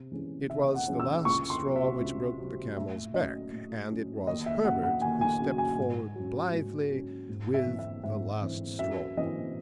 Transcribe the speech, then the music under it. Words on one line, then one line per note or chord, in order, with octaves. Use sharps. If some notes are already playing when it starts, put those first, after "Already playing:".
It was the last straw which broke the camel's back, and it was Herbert who stepped forward blithely with the last straw.
Already playing: C3
E3 G#3 C#4
C3 E5
F#5
E3 G#3 C#4
E6
C#2 C#6
C6
C3 F#3
E5
C#2
C3 F#3
A2 E5
F#3 C#4 D#5
A2
F#3 C#4
D#2 D#5
E5
C#3 F#3 F#5
F#5
D#2 G#5
G#5
C#3 F#3
G#5
G#2
F#3 C#4
G#2
F#3 C#4
G#2
E5
E3 C4
E5
G#2 E5
E3 C4
F#2 E5
E3 C4 D#5